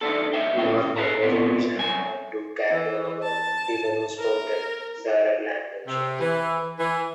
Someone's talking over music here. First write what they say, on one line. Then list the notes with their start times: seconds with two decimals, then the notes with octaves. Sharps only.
Lurnea was originally home to the Cabrogal people who spoke the Darug language.
0.01 D#3 A3 D4 A4
0.33 C#2 E5 G5
0.56 D2 A2 C#4 G5
0.96 G#4 A4 B4 E5 A5 A#5
1.23 D2 C3 B3 D4
1.76 C2 F#2 G#5
2.71 E3
3.23 A5
4.19 A#4
5.87 C3
6.19 E3
6.79 E3